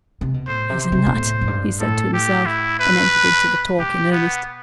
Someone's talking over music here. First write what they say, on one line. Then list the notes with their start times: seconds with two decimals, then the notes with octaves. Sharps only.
"He's a nut!" he said to himself, and entered into the talk in earnest.
0.21 C3
0.34 B2
0.47 A2 C5
0.70 C3
0.82 C5
0.92 C3
1.06 B2
1.14 A2
1.41 F2
1.47 G2
1.80 A2 A4
2.13 G4
2.46 E4
2.79 B4
3.79 B2 G4
4.12 B3